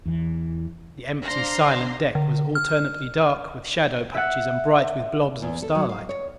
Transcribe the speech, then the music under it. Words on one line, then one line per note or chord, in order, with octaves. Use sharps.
The empty, silent deck was alternately dark with shadow patches and bright with blobs of starlight.
E2 E3
D4 C5 F5 A#5 C6
D3
F6
E5 F#5
E2
A4
F#3
F5
C#5